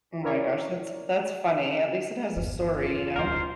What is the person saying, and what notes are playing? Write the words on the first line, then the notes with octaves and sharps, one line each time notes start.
Oh my gosh, that's that's funny, at least it has a story, you know.
E4 A#4 C#5 D5
G1 E2
F4
E1 D2 A2 A#4 C5